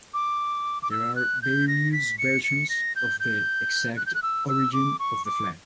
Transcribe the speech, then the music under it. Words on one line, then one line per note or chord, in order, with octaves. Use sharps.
There are various versions of the exact origin of the flag.
D6
D6
E6
F#6
G6
A#6
B6
C#7
C#7
A#6
G6
G6
F#6
G6
F#6
E6
E6
D6
C#6
D6